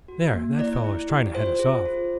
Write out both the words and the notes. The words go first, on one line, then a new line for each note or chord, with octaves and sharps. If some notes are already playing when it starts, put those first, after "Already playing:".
"There, that fellow is trying to head us off."
F#4
A#3
E4 D5
E4
G4
F4 C5
G#4
F4